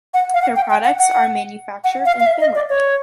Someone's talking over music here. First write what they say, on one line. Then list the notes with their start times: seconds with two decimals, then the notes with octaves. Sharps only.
Their products are manufactured in Finland.
0.14 F#5
0.34 F5
0.42 F#5
0.56 G5
0.70 G5
0.85 F#5
0.99 F#5
1.84 F#5
2.06 F5
2.20 F5
2.27 E5
2.41 D#5
2.55 D5
2.69 C#5